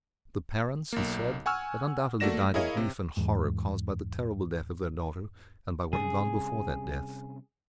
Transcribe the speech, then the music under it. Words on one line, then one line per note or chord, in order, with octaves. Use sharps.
The parents, he said, had undoubtedly died of grief and horror caused by the terrible death of their daughter, and by what had gone before that death.
B1 A#3
F#5 G#5 C#6 E6 F6
A3 A#3 F#4 D5 A#6 E7
E4 G#4 A#4 C#5 D#5 F5
C3
E2 G#2
C3 G3 C#4 G#4